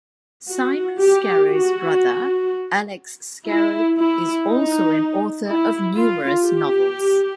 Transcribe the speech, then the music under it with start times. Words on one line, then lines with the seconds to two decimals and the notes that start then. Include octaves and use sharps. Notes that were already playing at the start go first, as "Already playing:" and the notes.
Simon Scarrow's brother, Alex Scarrow, is also an author of numerous novels.
0.49 F#4
0.99 G4
1.49 F#4
3.47 E4
3.97 E4
4.47 D#4
5.47 E4
5.96 F4
6.46 G4